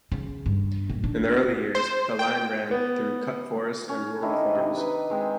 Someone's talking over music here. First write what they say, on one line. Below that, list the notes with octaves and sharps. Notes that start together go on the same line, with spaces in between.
In the early years, the line ran through cut forest and rural farms.
C#3
G2
A#2
D4
C5
G5
B3
C#4
D#3 D4 E4 D#5
C3
D#4 B4
G#3 C4 G#4